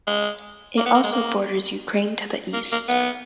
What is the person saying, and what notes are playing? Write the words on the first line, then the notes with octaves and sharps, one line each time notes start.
It also borders Ukraine to the east.
G#3
A#3
B3
A#3
G#3
A#3
A#3
A#3
B3